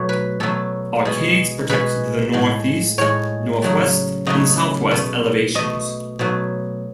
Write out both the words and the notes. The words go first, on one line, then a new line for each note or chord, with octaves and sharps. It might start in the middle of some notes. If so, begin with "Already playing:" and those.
Arcades protect the northeast, northwest and southwest elevations.
Already playing: B2 F#3 A3 C#5
B4
B2 F#3 A3 A4
B2 G#3
B2 G#3 B4
A2 G#3
A2 G#3 C#5
C#3 F#3 A3
C#3 F#3 A3 D#5
B2 A3
B2 A3 D#5
B2 F#3 A3